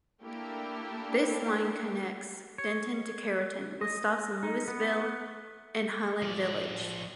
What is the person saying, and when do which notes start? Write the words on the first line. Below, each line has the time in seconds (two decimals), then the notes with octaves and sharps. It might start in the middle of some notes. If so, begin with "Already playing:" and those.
This line connects Denton to Carrollton, with stops in Lewisville and Highland Village.
0.22 A3 A#3 D4 E4 G4 A4
2.58 C#5
3.81 D#5
4.43 D#4
4.68 B3
6.22 F3 D5